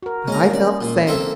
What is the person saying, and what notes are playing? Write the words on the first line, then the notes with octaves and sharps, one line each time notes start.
But I felt safe.
F#4 A#4
G#3 A#3 C#4 A#5
C#4 D5
A#2
A#3 C4 A4